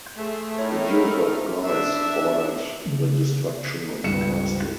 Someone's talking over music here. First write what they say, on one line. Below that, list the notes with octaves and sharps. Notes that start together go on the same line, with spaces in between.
The Duke of Guise ordered the destruction of the castle.
A3 G#4 C5
A2 D#4 E4 A#4 C#5
D4 E5
C#3
C#2 G2 C#7 E7